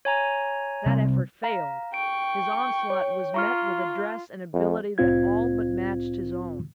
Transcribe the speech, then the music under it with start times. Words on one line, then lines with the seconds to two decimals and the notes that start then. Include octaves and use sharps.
That effort failed; his onslaught was met with address and ability that all but matched his own.
0.05 C#5 G#5 A#5
0.86 C3 G3 C4
1.43 F5 A#5
1.94 G5 C#6 D7
2.90 C#5
3.34 F4 A#5 C#6 F6
4.53 F2
4.98 C2 A2 C4 F4 G#6